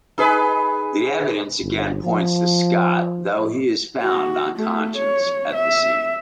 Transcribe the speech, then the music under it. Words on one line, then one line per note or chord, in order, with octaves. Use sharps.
The evidence again points to Scott, though he is found unconscious at the scene.
D#4 G#4 B4
G1
F3
F#4
A3
C#5
E5